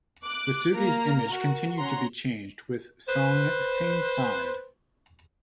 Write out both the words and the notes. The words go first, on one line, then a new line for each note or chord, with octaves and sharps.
Wesugi's image continued to be changed with song "Same Side".
D6 F#6
A#3 A#5 F6
F#4 A#4
C#4 F#5 A#5 C6
B4 C5